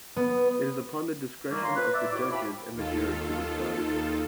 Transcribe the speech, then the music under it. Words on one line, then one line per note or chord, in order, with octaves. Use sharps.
It is upon the discretion of the judges and the jury to decide.
B3
D#3 G3 A3 A#3
C#4 F4 C#5 F5 A#5 C6
B4
D5 E5 D6 E6
D#2 A2 E4 F#4 C#5 D6
C5 E5 F5 G5 A5 B5
D#2 D#3 F4 A4